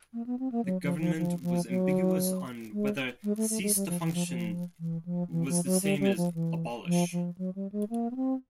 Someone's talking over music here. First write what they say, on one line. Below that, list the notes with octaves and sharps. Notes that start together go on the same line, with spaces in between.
The government was ambiguous on whether "cease to function" was the same as "abolish".
A#3
B3
C4
A#3
F#3
F3
F3
F3
F3
F#3
G#3
G#3
A3
A3
G#3
G3
F3
E3
F3
F3
E3
F3
E3
F3
F#3
G3
G3
F3
E3
F3
F3
F#3
G3
G#3
A#3
B3
C4